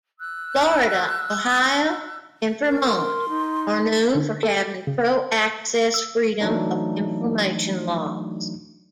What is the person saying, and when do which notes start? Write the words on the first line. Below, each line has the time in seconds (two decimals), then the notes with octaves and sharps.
Florida, Ohio, and Vermont are known for having pro-access freedom of information laws.
0.19 E6 F#6
2.67 A#4
2.87 C6
3.29 D#4
4.15 D3
4.43 A4
4.87 C#3
5.94 E6
6.41 E3 F#3 A3 D4 D#4